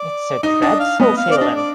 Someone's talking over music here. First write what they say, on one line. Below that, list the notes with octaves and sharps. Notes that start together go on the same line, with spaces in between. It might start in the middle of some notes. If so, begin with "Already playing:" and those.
It’s a dreadful feeling.
Already playing: D5
D#4 D#5
D4 D#5
F5
B3 D#5
F5
C4 D5
D4 D#5
D5